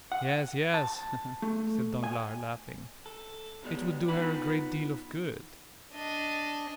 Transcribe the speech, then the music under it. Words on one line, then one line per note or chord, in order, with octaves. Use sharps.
"Yes, yes," said Danglars, laughing, "it would do her a great deal of good."
F#5
A5
A3
G#5
A4
B1 B2 F3 G3 G#3
B3 D#4 F4 B4 A5 B5
D4 D#5